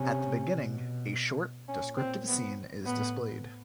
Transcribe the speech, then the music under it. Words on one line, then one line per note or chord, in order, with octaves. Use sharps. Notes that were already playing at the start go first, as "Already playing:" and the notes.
At the beginning, a short descriptive scene is displayed.
Already playing: C3 C#4
B2
A#2 C#4
C4
B3
A2 B3